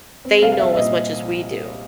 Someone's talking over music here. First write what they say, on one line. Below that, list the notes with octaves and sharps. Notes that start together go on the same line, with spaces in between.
they know as much as we do
C4
C2 F5
F5
C4 E5
E5
A#2 D#5